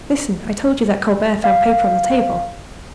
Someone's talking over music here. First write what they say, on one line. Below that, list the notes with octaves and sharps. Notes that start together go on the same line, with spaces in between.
"Listen; I told you that Colbert found paper on the table."
F5